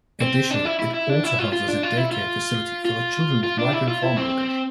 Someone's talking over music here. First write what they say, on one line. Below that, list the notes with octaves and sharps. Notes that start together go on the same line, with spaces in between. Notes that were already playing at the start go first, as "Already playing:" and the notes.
Additionally, it also houses a day-care facility for the children of migrant farm workers.
C4
D4
E4
E4
E4
D4
E4
F4
F4
D4
F4
E4
F4
F4
F4
D4
E4
F4
E4
C4